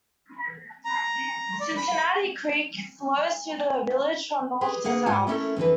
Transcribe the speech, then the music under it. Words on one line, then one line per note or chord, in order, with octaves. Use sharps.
Cincinnati Creek flows through the village from north to south.
A#5
D5
B5
G4 G#4 B4
D2 A#3 G#4 A#4 B4 F#5
G#2 F4 F#5 G#5
A3 B3 C#4 E4 A4 A#4
F2 D3 E3 B4